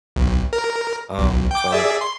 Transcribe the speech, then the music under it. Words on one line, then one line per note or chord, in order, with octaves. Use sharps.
Um, so
B1
A#4
B1
G5 D6
G#4 D5 E5
C6